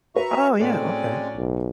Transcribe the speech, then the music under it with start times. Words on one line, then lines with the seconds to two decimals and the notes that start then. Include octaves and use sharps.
Oh, yeah. Okay.
0.15 F#4 B4 E5 A#5 C#6
0.60 A2 F#3 G#3 C4 C#4 A4 D5
1.37 B1